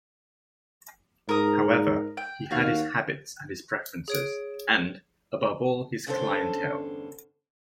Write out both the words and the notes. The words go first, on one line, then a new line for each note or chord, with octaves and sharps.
However, he had his habits and his preferences, and, above all his 'clientele'.
G#2 A#4 D#6
G5
D#2 F#4 F5
G#4 C#5 D7
E2 G2 D3 C#4 A4 C5